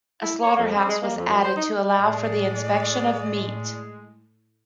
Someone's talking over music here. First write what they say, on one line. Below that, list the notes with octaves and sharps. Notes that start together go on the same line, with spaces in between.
A slaughter house was added to allow for the inspection of meat.
E4
C#5
F2
C4
G#3
A#3
F2
F#2
C5
D#4
A2 G#3 D5